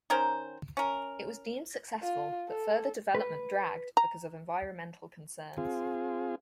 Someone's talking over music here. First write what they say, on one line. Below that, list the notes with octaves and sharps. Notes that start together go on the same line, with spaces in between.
It was deemed successful, but further development dragged because of environmental concerns.
D#3 C#4 A#4 C5
C#4 A#4
F4
A4
B4
A#5
C4 F4 G#4